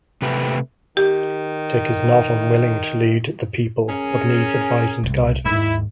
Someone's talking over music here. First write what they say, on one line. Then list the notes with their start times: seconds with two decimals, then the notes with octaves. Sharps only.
Dick is not unwilling to lead the people, but needs advice and guidance.
0.22 C3 A3 G4 B4
0.97 D#3 G4
3.89 C#4 G#4 A#4
5.03 C2 C4
5.45 D#2 G#2 E4